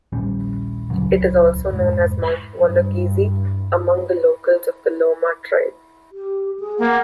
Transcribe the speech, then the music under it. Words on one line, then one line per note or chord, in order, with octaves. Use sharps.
It is also known as Mount Wologizi among locals of the Loma tribe.
D#1 A#1 G3 C#4
D#1 C#2 C#3 F#3
F1 G#2
G2
G4
G#4
A#3 F#5